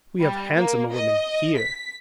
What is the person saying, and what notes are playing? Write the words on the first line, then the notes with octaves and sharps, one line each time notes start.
"We have handsomer women here."
G3
A#3
D#5
B6